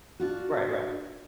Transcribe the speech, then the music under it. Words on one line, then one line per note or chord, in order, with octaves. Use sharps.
Right, right.
D4 F4 F#4